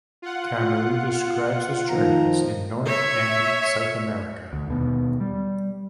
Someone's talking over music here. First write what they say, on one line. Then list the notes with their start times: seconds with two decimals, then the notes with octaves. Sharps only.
Camus describes his journeys in North and South America.
0.22 F4 F#5
1.89 D#3 F3 A#5
2.86 C#5 E5
4.53 D2
4.67 D#2 B2
5.20 G3